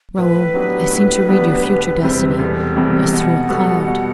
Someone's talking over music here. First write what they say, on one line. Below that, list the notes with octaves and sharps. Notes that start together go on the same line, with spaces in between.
Raoul, I seem to read your future destiny as through a cloud.
A2 B4
F#3 B3 D4 G4
A2
F#3 B3 D4 G4
E1
E2 C3 G3 C4
E1 A4
E2 C3 G3 C4
B2 F#5
G3 B3 F#4 A4
B2